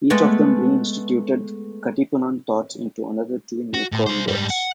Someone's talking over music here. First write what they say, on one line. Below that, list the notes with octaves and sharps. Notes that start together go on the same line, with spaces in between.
Each of them re-instituted Katipunan thoughts into another two new converts.
G#3 A3 B3
F#4
A2
G3 C5
G#2 G3
F#5